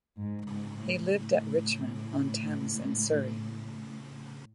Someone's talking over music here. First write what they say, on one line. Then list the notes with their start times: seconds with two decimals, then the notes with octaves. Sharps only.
He lived at Richmond on Thames in Surrey.
0.20 G#2
0.49 G#2
0.77 A2
1.05 A2